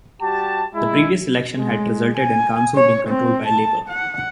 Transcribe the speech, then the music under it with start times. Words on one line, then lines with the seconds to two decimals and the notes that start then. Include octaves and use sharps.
The previous election had resulted in the council being controlled by Labour.
0.21 G3 F#4 G4 A5
0.74 G#3 E4
1.56 G#3
2.18 G#5
2.75 C#5
3.08 C4
3.47 A5
3.89 F#5